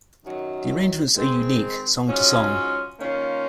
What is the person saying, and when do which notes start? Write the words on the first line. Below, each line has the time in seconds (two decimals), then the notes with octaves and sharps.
The arrangements are unique, song to song.
0.23 F#2 D#3 F#3
1.15 D#3 G#3 C4
2.06 G#2 F#3 C#4 F4
2.98 D#3 A#3 C#4 F4